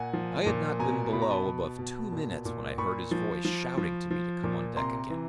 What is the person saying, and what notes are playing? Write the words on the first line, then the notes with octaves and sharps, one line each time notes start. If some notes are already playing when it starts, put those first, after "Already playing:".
I had not been below above two minutes when I heard his voice shouting to me to come on deck again.
Already playing: A#2 F#5 G#5
F3
A#2
B2 G#5 A#5
B2 B5
A#5
A5 B5
B2
B2
A#2
A#2
A#2 B5 C#6
F3
F3
F3
F3
A#2
C3 A#5 C6
E3